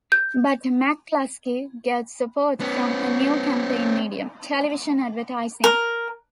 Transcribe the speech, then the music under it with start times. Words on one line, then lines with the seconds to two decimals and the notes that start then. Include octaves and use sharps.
But McCluskey gets support from a new campaign medium: television advertising.
0.12 G6
2.60 B3 C#4
5.64 A#4